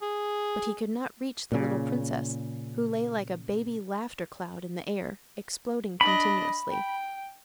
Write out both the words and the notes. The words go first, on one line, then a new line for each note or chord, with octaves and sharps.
But, he could not reach the little princess, who lay like a baby-laughter-cloud in the air, exploding continuously.
G#4
A#2 C#3
D4 D#5 B5
G5